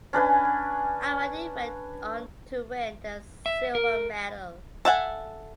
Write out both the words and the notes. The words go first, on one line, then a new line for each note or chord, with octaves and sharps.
Ahmadi went on to win the silver medal.
C#4 D4 B4 G#5
E5
A#4
A4 E5 F#5 G#5